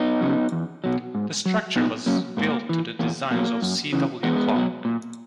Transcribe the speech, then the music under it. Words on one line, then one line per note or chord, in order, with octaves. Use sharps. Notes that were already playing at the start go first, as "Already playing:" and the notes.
The structure was built to the designs of C. W. Clark.
Already playing: B3 D#4
C#3 F#3
E2
B2 F#3
G#2
F#3
A#2 B3 D#4
F#3 A#3 C#4
G#2 A#3
E3
E2 A#3
B2 F#3 A#3
F#2
C#3 E3
E2 G#3 B3
B2 F#3
A#2